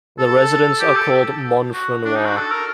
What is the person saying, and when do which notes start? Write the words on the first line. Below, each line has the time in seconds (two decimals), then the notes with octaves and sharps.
The residents are called "Montfrinois".
0.19 A4
0.80 G4
0.96 A4
1.74 F#4
2.05 D4
2.15 D#4
2.25 F#4
2.36 A4
2.51 A#4